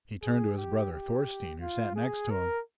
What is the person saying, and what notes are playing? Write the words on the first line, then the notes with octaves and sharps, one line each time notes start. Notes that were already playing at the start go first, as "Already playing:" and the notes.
He turned to his brother Thorstein who sat next to him.
G#4
G4
G4
F4
G#4
A#4